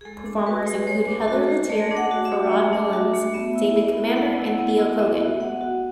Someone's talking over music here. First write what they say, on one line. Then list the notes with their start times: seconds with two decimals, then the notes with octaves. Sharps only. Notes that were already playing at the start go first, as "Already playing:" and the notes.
Performers include Heather Litteer, Farrad Mullins, David Commander and Theo Kogan.
0.01 G#4
0.05 G#3 A4
0.25 D4
0.46 F#4 B4
0.67 G#3
0.87 G#3 C#5
1.07 D4
1.28 F#4
1.49 G#3
1.69 A3 D5
1.91 D4
1.97 F#5
2.11 F#4
2.25 E5
2.32 A3
2.52 A3
2.73 D4
2.93 F#4
3.14 A3
3.34 B3 E5
3.55 E4
3.76 B3
3.96 E4
4.16 B3 F#5
4.38 E4
4.59 B3
4.79 E4
4.99 B3 E5
5.20 F#4
5.40 B3 F#5
5.61 F#4